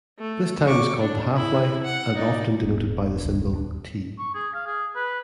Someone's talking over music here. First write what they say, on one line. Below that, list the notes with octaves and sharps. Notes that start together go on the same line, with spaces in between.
This time is called the "half-life", and often denoted by the symbol "t".
A3
C#6 D6
D4
E4 B5
F#5
D#4 D5
E1 B3
C#2
D#1 C4 D4
C#6
G#4
F5
G#4
B4